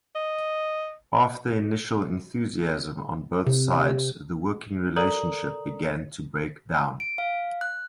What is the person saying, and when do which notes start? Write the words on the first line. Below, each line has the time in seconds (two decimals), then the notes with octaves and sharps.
After initial enthusiasm on both sides the working relationship began to break down.
0.15 D#5
3.47 C3
4.96 A4 A#4 D5 A#5 D#6 F#7
7.00 D7
7.18 F5
7.61 F#6